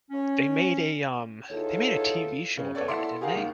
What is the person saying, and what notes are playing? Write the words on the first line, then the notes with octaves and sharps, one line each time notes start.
they made a, um, they made a TV show about it, didn't they?
C#4
E2 D#4 F4 A4 C#5
C#3
B3 A4 C#5 D5
E4 A4 E5 F#5 C6 D6
G4 G#4 A#4 F5 F#5
D#2 D#3